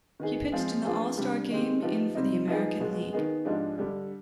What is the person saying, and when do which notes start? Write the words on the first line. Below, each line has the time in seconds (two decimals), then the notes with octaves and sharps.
He pitched in the All-Star Game in for the American League.
0.20 D#3 B3 D#4 G#4
0.52 F3 G#3 C4 F4 G#4
0.85 F3 B3 D4 F4 G#4
1.17 C3 G3 D4 G4
1.50 D#3 G#3 C4 G4
1.82 F3 B3 D#4 G4
2.15 C3 G3 C4 D#4
2.48 F3 B3 D#4 G#4
2.80 B2 G#3 B3
3.13 D#3 B3 D#4 G#4
3.45 G#2 F3 G#3 D4 G4
3.78 D3 G3 D4 G4